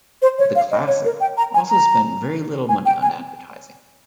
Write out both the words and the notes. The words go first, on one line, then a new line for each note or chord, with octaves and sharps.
The Classic also spent very little money on advertising.
C5
C#5
F5
D#5
C#5
A#4
G5
A#5
G#5
A#5
G#5
G5
G#5